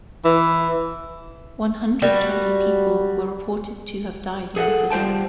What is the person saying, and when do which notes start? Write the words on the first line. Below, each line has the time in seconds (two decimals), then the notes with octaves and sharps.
One hundred twenty people were reported to have died in the city.
0.25 E3
2.02 G3 F#4
4.56 G#4 A4 E5 F#5
4.91 G3 F4 C5 G5 A5